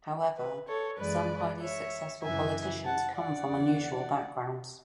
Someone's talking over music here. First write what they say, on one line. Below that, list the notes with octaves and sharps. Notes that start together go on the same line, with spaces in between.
However, some highly successful politicians come from unusual backgrounds.
B4
A4 C#5
F#2 E3 G#3 B4 D5
C#5 E5
F#2 C#3 E3 E5 G#5
F#5 A5
D5 F#5
E2 C#3 E3